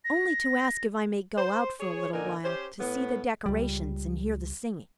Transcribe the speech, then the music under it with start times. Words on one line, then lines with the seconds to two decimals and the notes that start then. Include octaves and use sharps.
"Only to ask if I may go out for a little while to see the decorations and hear the singing."
0.05 A#6
1.37 C5
1.80 G#4 C#5
2.13 A#2 D3 D#4 A#4 G#5
2.44 C#4 G4 C5
2.80 A2 B3
3.46 C#2 G3